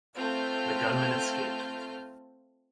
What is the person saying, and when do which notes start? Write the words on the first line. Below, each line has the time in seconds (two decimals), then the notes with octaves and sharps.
The gunmen escaped.
0.16 A3 C4 F4 F6 G6